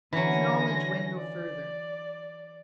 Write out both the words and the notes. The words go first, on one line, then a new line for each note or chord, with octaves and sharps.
His knowledge went no further.
D3 E3 F#3 C#4 A#6
D5